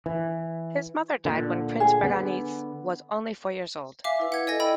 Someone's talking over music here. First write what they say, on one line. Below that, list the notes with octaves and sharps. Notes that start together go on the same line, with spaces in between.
His mother died when Prince Birabongse was only four years old.
E3
A#2 D3
G#4
D3 B3
E5 F5 G#5 D6
E4 B4
F#5 G#6
E4 A4 D5 D#5 G#5 A#6
G5 B5 E6